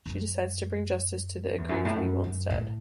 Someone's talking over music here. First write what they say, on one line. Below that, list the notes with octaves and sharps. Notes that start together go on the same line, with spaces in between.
She decides to bring justice to the aggrieved people instead.
F#2
E2
F#2
A2
F#2
F#2
A2